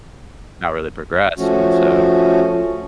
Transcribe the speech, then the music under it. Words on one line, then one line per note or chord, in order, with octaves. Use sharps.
not really progress, and so,
F3 A3 C#4 F#4